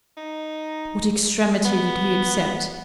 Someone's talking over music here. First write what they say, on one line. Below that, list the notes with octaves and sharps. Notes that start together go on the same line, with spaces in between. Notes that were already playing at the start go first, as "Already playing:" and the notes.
What extremity did he accept?
D#4
B3